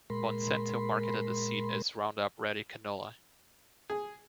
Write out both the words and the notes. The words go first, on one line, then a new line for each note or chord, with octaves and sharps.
Monsanto marketed the seed as Roundup Ready Canola.
A#2 G#3 A#4 B5 C6
G#4